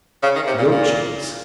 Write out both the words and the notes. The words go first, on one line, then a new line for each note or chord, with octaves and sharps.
Goat cheese.
C#3
D#3
C3
A#2
A#2